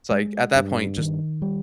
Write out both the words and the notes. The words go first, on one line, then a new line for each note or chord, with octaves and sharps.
It's like, at that point, just
G#3
G2
D#3
G3